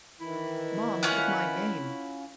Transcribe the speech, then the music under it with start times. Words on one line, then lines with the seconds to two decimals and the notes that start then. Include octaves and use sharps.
Mom Hid My Game!
0.21 D#3 E3 E4
1.03 C#4 F4 F#5